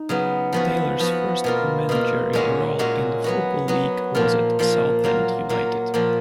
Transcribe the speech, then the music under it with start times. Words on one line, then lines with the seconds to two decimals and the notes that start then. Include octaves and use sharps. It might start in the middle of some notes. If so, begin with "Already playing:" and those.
Taylor's first managerial role in the Football League was at Southend United.
Already playing: D#4
0.09 C#3 F#3 B3
0.53 F3 B3 F#4
0.99 F3 B3 F#4
1.44 B2 A#3 F4
1.89 B2 A#3 F4
2.33 A#2 G#3 C#4 F#4
2.79 A#2 G#3 C#4 F#4
3.24 F#3 B3 F#4
3.68 F#3 B3 F#4
4.15 A#2 F3 A#3 F4
4.59 A#2 F3 A#3 F4
5.04 F#3 A#3 F4
5.49 F#3 A#3 F4
5.94 A#2 F3 A#3